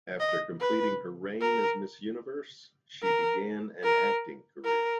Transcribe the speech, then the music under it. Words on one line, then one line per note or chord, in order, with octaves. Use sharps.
After completing her reign as Miss Universe she began an acting career.
D#5
B4
A#4
A#4
A#4
A#4